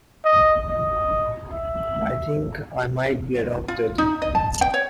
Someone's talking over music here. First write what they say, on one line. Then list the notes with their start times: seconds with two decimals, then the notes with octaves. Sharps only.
I think I might be adopted.
0.25 D#5
0.69 D#5
1.52 E5
3.68 F4
3.98 D#4
4.22 D#5
4.35 A5
4.61 G5
4.74 C#5